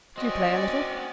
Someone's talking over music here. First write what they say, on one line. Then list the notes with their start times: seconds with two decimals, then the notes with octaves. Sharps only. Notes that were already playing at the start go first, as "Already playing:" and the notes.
"Do you play a little?"
0.18 C4 C#4 F#4 D5 D#5